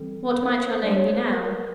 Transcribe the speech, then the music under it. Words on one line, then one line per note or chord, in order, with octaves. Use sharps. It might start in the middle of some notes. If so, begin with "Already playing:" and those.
"What might your name be, now?"
Already playing: E3 G3 C4 A4
A#4
C5
B4
C5
G3 A#3 D4 D5
C#5
C5
A#4
B4
A#4
A#4
B4